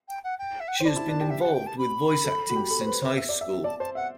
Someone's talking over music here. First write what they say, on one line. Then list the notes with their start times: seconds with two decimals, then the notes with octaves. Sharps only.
She has been involved with voice acting since high school.
0.08 G5
0.24 F#5
0.39 G5
0.60 E5
0.68 F#5
0.76 G5
0.80 C5
0.85 D5 A5 B5
0.96 E4
1.08 D4
1.20 G4
1.30 E5
1.41 F#5
1.54 G5
1.67 A5
1.78 B5
2.24 A4
2.50 F#4
2.56 G4
2.71 A4
2.81 C5
2.87 B4
3.02 C5
3.18 E5
3.29 D5
3.41 E5
3.53 E5
3.64 D5 A5
3.79 C5 A5
3.95 E5 F#5